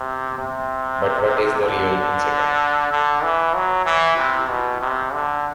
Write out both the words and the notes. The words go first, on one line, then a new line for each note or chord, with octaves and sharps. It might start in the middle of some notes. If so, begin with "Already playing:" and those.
But what is the real incident?
Already playing: C3
C3
D3
D3
E3
F#3
E3
C3
B2
C3
D3